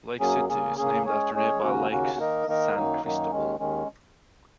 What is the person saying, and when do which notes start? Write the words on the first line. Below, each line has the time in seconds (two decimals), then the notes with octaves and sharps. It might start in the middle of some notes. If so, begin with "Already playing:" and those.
Lake City is named after nearby Lake San Cristobal.
0.20 F#2 F#3 A#3 C#4 G#4
0.49 C#3 A#3 C#4 G#4
0.78 C#3 A#3 C#4 G#4
1.06 G#3 C#4 G#4 C#5
1.34 G#3 C#4 G#4 C#5
1.62 D#2 C#3 A#3 C#4 F#4
1.90 D#2 C#3 A#3 C#4 F#4
2.18 D#3 A#3 D#4 A#4 D#5
2.47 D#3 A#3 D#4 A#4 D#5
2.75 F#2 D#3 F#3 A#3 D#4
3.03 F#2 D#3 F#3 A#3 D#4
3.31 D#2 D#3 G#3 C#4
3.60 D#2 D#3 G#3 C#4